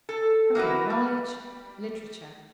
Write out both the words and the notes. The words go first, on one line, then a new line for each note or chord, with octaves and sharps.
Compare KNOWLEDGE; LITERATURE.
A4
A#3 E4 F#4 B4
G3